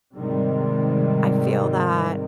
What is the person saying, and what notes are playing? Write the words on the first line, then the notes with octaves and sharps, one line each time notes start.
I feel that.
G#2 C3 D#3 G3 G#3 C4